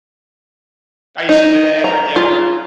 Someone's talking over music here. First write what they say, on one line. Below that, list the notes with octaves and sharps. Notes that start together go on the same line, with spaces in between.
I used to do that every day at work.
D#4
A#5
F4